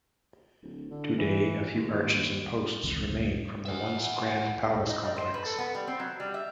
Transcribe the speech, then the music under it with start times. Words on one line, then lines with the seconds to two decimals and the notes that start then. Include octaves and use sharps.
Today, a few arches and posts remain from the once grand palace complex.
0.63 D1
0.91 D3
1.18 E3
1.75 D#2
2.83 F1 C#2 E3 C4
3.65 E5 F#5
4.90 D#4
5.04 G3
5.16 C5
5.34 B4
5.45 A4
5.59 B3
5.75 G3
5.88 C4
6.00 F#3
6.20 G3
6.34 E5